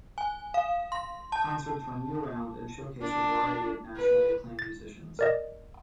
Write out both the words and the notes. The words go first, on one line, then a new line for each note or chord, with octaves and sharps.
Concerts run year round and showcase a variety of nationally acclaimed musicians.
G#5
F5
C6
A5
D4
B4
A6
A#4 D5 D#5